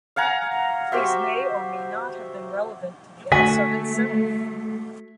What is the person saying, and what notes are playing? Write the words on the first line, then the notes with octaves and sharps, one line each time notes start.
These may or may not have been relevant to the episode itself.
F5 F#5 G#5 A#5
F#4 G4 C5 E5
D3 A3 F#4 G#5 B6